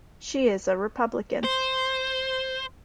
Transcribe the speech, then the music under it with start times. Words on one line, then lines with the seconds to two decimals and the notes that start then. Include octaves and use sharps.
She is a Republican.
1.45 C5